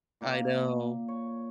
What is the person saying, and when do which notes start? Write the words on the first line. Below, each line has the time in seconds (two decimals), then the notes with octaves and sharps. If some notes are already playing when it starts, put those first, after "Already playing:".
I know.
0.21 A#2 A#3
1.08 C#5